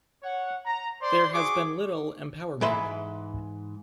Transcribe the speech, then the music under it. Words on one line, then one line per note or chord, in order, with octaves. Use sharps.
There has been little empowerment.
C#5 F#5
A#5
C5 D5 C6
F#4 G#4 C#6 D6
G#2 E3 B4 E5 C6